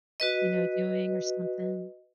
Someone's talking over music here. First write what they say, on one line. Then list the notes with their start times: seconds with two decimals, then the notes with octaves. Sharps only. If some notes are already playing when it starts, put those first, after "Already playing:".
you know, "doing?" or something.
0.20 F#4 B4 D#5